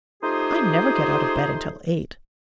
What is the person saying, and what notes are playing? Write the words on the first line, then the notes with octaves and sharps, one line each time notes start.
I never get out of bed until eight.
A3 D#4 F4 G4 G#4 C5